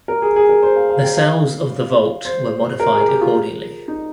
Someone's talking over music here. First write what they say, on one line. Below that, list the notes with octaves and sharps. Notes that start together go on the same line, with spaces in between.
The cells of the vault were modified accordingly.
A#4
G#4
G#4
A#4
C5
F5
F5
G5
F5
C5
A#4
G#4
G4
F4
D#4